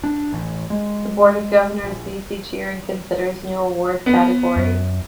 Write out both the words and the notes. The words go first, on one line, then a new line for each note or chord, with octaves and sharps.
The Board of Governors meets each year and considers new award categories.
D4
A1
G#3
A#1
B3
F#2